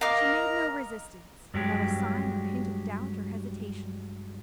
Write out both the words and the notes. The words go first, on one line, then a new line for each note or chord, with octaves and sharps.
She made no resistance, not a sign or hint of doubt or hesitation.
A#4 D#5 F5 A#5 D6
G2 F#3 G#3 G4 C#5